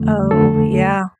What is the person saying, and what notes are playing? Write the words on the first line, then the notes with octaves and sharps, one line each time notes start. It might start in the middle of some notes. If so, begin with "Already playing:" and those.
Oh, yeah.
Already playing: F2 D3 A3
F2 D3 A3 A4